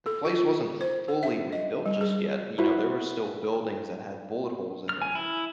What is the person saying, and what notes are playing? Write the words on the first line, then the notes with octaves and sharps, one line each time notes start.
the place wasn't fully rebuilt just yet, you know, there were still buildings that had bullet holes in them.
A4
F4
C5
A4
E5
D#5
G3
G#4
E4 F#4 B4 C5
F6
G#5
E4